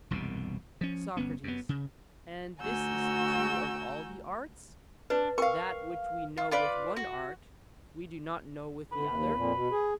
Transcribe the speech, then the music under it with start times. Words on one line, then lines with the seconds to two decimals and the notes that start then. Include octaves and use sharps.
SOCRATES: And this is true of all the arts;--that which we know with one art we do not know with the other?
0.11 E1 C2 F#2 B2
0.81 F3 C#4
1.17 G1 B3 C#4
1.44 F#2 B3
1.69 C#3
2.59 D2 F#4 G#5 A#5 E6 G6
5.10 D4 B4
5.38 A#4 F5 G5 C#6
6.38 F4
6.52 F4 B4 D5
6.96 F#4
8.92 D3 B4
9.06 D#2
9.36 F2 A#2
9.55 B2
9.72 G#4